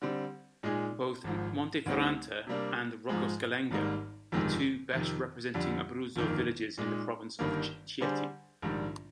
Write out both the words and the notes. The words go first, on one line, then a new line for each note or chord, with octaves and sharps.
Both Monteferrante and Roccascalegna are two best-representing Abruzzo villages in the province of Chieti.
D3 G3 C4
A#2 G#3 D#4 G#4
G#1 G#2 F3
D2 D3 G3 C4 D#4
C3 G3 A#3 D4
G#2 F3 G#3
G#1 G#2 G3 A#3 D#4
G1 F2 C3 D#3 G#3
F2 C3 D#3
F2 D3 G3
G1 F2 D#3 A#3
A#2 G#3 D#4
G1 G2 D#3 A#3
D3 G3 D4 G#4 C5
A#1 G#2 D#3 G3